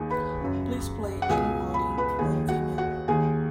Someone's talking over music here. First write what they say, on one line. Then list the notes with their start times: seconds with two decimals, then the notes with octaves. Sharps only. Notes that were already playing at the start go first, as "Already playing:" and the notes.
Please play Jim Martin on Vimeo.
Already playing: D#2 D#3 G#4 G#5
0.11 B4 B5
0.41 F#2 C#3
1.22 F#5
1.29 C#2 B2 G#4 G#5
1.74 B5
1.98 B4 B5
2.19 D#2 D#3 G#4 G#5
2.49 F#4 F#5
2.78 F#4 F#5
3.08 D#2 D#3 G#4 G#5